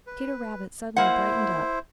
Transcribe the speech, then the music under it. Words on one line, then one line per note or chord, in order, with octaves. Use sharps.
Peter Rabbit suddenly brightened up.
B4
A#3 E4 C5 F#5